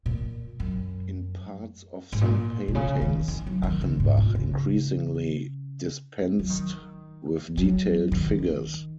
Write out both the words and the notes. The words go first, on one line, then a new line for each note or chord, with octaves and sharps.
In parts of some paintings, Achenbach increasingly dispensed with detailed figures.
A#2
F#2
G#2
A#2
A#2
C#3
D#3
D#3
F#3
D#3
C#3
G#2
A#2
C#3
F#3
D#3
F#3
D#3